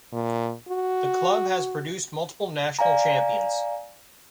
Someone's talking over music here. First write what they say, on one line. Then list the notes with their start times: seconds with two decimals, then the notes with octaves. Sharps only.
The club has produced multiple national champions.
0.13 A#2
0.69 F#4
2.79 D5 F5 G#5 A#5